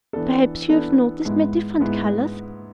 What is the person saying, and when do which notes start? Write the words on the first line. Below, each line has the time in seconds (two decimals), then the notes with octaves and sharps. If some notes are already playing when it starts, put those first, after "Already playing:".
Perhaps you've noticed my different colors.
0.13 E3 B3 D4 A4
0.69 E3 B3 D4 A4
1.25 G#2 G#3 B3 E4
1.80 G#2 G#3 B3 E4